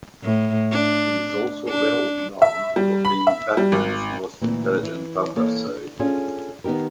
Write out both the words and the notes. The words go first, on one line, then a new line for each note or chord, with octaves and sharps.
He is also well known for being Batman's most intelligent adversary.
A2
D4
D4
E5
G3
B5
E5
G3
G#1
D2 A#2 E3
E3
E3 A#3 A4 C#5
D4
C#4 D4 F4 G#4 A4
D#3 B3 D#4 G4 A#4